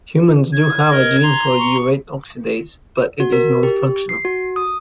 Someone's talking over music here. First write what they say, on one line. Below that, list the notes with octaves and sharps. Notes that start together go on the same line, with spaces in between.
Humans do have a gene for urate oxidase, but it is nonfunctional.
G#6
A#4 D#5
A#5 C6
C#6
F#4
A#4
G4
C7
F#4
D#6